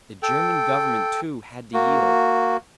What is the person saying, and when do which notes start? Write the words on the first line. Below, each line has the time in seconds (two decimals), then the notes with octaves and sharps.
The German Government, too, had to yield.
0.23 A4 G5
1.74 A#3 F#4